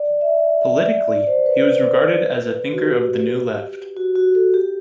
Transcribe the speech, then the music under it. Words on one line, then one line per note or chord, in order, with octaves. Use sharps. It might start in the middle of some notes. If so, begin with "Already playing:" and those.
Politically, he was regarded as a thinker of the New Left.
Already playing: D5
E5
D5
C5
B4
F#4
G4
F#4
F#4
A4
G4